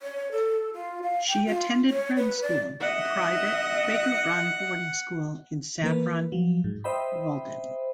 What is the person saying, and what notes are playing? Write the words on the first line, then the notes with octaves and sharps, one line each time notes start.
She attended Friends School, a private, Quaker-run boarding school in Saffron Walden.
C#5
A4
F4
F5
G5
F4
C#5
B4
D5
D#5 E5 F#5
E3 A#3 B4
F3 F#3
G#2
C5 D#5 E5 G5 B5